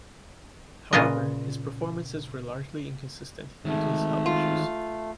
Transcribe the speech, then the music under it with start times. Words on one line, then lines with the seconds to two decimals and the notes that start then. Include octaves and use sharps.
However, his performances were largely inconsistent due to his health issues.
0.93 A#2 C#3 F4 A#4 B4 D#5
3.65 D#3 G#3 A3
4.26 F4